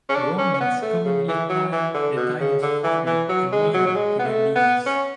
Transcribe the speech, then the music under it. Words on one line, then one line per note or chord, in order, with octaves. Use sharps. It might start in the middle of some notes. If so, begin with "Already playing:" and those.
The Romans commonly applied the titles "father" and "mother" to their deities.
C#4
D4
C#4
C#4
B3
A3
C#3
E3
F#3
E3
D3
B2
C#3
D3
E3
E3
F#3
G#3
F#3
F#3
G#3
B3
A3
B3
C#4